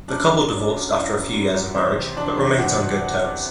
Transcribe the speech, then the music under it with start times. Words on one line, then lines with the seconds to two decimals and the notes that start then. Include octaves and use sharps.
The couple divorced after a few years of marriage, but remains on good terms.
0.08 F#2 D4 D5
0.29 F#2
0.50 F#3
0.70 F#3
0.91 F#3 E4 E5
1.12 F#2
1.33 F#2
1.55 F#3
1.75 E2 C4 C5
1.96 C3
2.16 E2 D4 D5
2.37 E2
2.58 C3 F#4 F#5